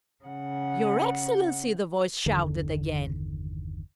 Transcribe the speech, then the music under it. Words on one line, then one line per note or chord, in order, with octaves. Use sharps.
"Your Excellency!" the voice shouted again.
C#3 F#5
G1 E2 D3 D#3